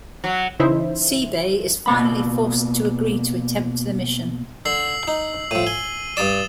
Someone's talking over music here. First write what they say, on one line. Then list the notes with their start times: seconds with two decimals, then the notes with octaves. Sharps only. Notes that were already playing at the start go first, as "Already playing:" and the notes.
Seibei is finally forced to agree to attempt the mission.
0.24 F#3
0.59 C#3 E3 D#4 E4 C5 E5
1.86 B2 A#3 B5
4.65 D3 E6 C7 F#7
5.08 D#4
5.51 A2 F3 D#7
5.67 G#5 G7
6.17 G2 D5 D#6 A6 E7